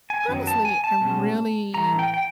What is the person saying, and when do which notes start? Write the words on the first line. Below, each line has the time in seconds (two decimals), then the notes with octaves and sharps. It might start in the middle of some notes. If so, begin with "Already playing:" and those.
honestly, I really
0.10 G#5
0.28 F#2 D#3 F#3 B3
0.47 A5
0.65 G#5
0.84 A5
1.01 B2 G#3 C#4
1.74 A2 E3 A3 A#5
1.99 G5
2.14 G5